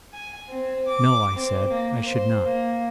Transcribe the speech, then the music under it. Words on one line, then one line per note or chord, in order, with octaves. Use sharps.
No, I said, I should not.
G#5
C4
D6
C4
A#3
C5
A#3